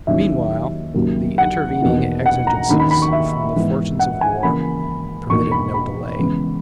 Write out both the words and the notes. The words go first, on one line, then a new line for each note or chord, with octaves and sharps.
Meanwhile the intervening exigencies from the fortunes of war permitted no delay.
D#2 D#3 F#3 C#4 E4 E5
D#2 C#3 F#3 A#3
F#5
E2 B2 A#3 D#4
F#5
A#5
D#2 D#3 A#3 C#4 B5
B5
B5
C#6
E5
G#2 E3 B3 E4
F#5
G#5
C#3 E3 A#3 B5
E2 B2 A#3 D#4 C#6
B5
B5
C#3 E3 G#3 B3